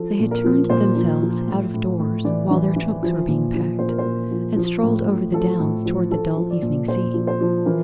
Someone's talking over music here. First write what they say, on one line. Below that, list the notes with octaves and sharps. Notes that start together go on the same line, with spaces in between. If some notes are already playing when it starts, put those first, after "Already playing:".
They had turned themselves out of doors while their trunks were being packed, and strolled over the Downs towards the dull evening sea.
Already playing: F3 A4
A#2
A#4
F3
A#2 C5
F3
F3
A2
A2
A2
E3 D5
E3
E3
F3
A#2
F3
A#2 C5
A#4
C5
A#2
F3
F3
A2
A2
F3 A4
A2
F3
F3 A4
F3
D5
A#2
A#2 C5
F3
C5
F3
E3 A#4